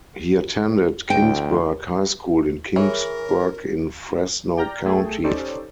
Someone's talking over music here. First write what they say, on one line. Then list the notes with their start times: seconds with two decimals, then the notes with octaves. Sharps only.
He attended Kingsburg High School in Kingsburg in Fresno County.
1.10 D2 G5
2.76 E3 G#4 A#4 C#5
4.57 D5 G5 A#5 F6 G6
4.85 B1 A3 G#4 A4 G5
5.24 C#4 D#4 G4 A4 C5 D5